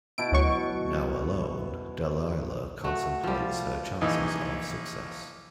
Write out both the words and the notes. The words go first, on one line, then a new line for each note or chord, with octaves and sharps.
Now alone, Dalila contemplates her chances of success.
B2 E4 D7
D2 F#3 C#6
A3 F#4
F3 G3
A#1 E3 D#4